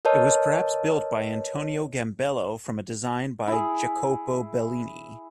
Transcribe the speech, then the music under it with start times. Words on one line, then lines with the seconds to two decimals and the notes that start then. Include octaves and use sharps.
It was perhaps built by Antonio Gambello from a design by Jacopo Bellini.
0.05 A#4 B4 C#5 D#5 A5
3.48 E4 G#4